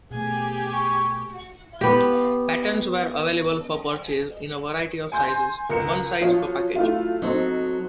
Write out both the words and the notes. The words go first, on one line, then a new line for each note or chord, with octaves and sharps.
Patterns were available for purchase in a variety of sizes, one size per package.
B2 A3 G4 G#4 G#5
C#6
B3 G4
G#5 C6 G6
C#2 A#4 C#7 E7
F3 F#3 F4 C#5
A3 E4 F4
F#3 C4 D#4 A4